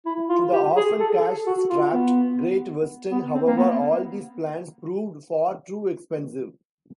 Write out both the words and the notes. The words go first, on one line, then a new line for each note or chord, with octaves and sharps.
To the often cash-strapped Great Western, however, all these plans proved far too expensive.
E4
F4
G4
G#4
A4
F#4
F4
B3
B3
C4
A#3
B3